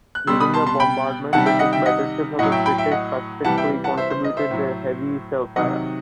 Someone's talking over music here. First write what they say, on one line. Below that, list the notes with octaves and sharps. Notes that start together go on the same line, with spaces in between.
During that bombardment, British battleships of the British Pacific Fleet contributed their heavy shellfire.
F#6
B2 G3 C6 E6
B5 D#6
A5 C6
A5 C6
G5 B5
C3 D#3 G3 F#5 A5
E5 G5
D#5 F#5
E5 G5
D#5 F#5
A2 F#3 D#5 F#5
E5 G5
G5 B5
E5 G5
D#5 F#5
C3 E3 G3 F#5 A5
E5 G5
F#5 A5
C5 E5
C5
D#5
C5 E5
A2 F#3
C3 D#3 F#3 D#5 F#5